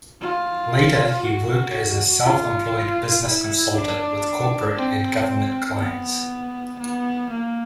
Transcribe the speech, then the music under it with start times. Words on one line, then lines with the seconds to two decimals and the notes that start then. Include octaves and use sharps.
Later, he worked as a self-employed business consultant with corporate and government clients.
0.21 F4
1.23 F#4
2.23 F4
3.25 E4
3.76 D4
4.77 C4
5.77 B3
6.79 B3
7.30 A#3